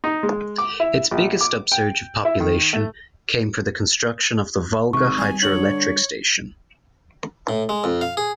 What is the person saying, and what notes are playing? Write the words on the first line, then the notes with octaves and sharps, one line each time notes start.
Its biggest upsurge of population came for the construction of the Volga Hydroelectric Station.
D#4
G#3
D6
E4
A#1
D6
G5
E4
D#3
A3
G#1 C3 C#6
G3 G#5
D3 C#5 F#7
A2
G#3
F2
F5
G#4